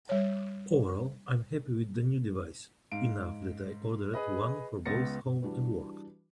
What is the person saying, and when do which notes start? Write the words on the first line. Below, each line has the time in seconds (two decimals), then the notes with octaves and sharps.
Overall I'm happy with the new device, enough that I ordered one for both home and work.
0.09 G3 C#5
2.92 G#2 F5 D7
4.13 G#4 B4 D#5
4.85 C#2 B3 A6 A#6 C#7
5.42 E3 G3 D4 F#4 B4